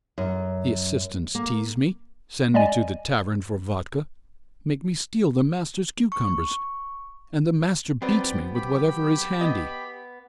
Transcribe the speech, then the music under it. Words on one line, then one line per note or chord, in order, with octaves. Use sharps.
The assistants tease me, send me to the tavern for vodka, make me steal the master's cucumbers, and the master beats me with whatever is handy.
F#2
A#3
G#3 D5 D#5 G#5
C#6
F#3 B3 C4 B4 D5 G5
G4 B5
B3 D#5